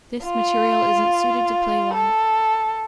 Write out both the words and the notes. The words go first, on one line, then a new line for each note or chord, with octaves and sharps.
This material isn't suited to play live.
F4
A4